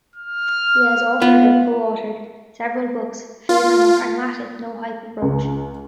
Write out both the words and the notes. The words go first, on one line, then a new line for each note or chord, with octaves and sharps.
He has authored or co-authored several books, favoring a pragmatic, no-hype approach.
F6
B3 F4
F4
C#2